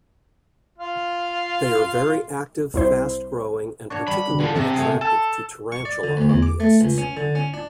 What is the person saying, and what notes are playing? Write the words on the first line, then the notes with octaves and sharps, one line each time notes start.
They are very active, fast-growing and particularly attractive to tarantula hobbyists.
F4 F5
C2 E4 C5
D4 F#4 C#5 C#6
G3 B5
C2 D3 D4
D3 F3 G#4
C3 C4 F#4 E5 A5
A3 G#4 C6
A4
C#6
D5
D3
D2
E2
D6
A3
C#2
C#4
D3
C#4
D4